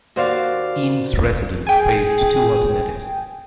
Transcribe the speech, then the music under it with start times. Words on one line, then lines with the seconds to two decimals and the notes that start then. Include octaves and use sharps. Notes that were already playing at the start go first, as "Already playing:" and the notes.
Eanes residents faced two alternatives.
0.16 D#2 F#4 C5 D5 F5
1.67 G#4 G5 G#5